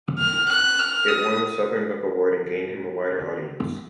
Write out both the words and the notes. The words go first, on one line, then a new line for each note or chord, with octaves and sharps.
It won the Southern Book Award and gained him a wider audience.
F6
F#6
F6
D#6